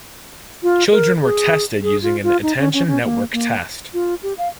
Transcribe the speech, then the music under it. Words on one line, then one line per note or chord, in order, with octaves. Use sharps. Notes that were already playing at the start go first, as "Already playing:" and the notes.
Children were tested using an Attention Network Test.
F4
A#4
G#4
G#4
F4
F4
D#4
C#4
C#4
C#4
A#3
A#3
F4
G4
F5